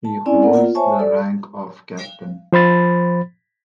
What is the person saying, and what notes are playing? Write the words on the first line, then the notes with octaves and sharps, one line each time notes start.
He holds the rank of Captain.
A5
C4 C#4 E4 D5 G#5
A#3 B3 A#4 D5 F#5
F4
C5 C#5 E5 G#5 A5 C#6
A4 D5
F3 C5 B5 A6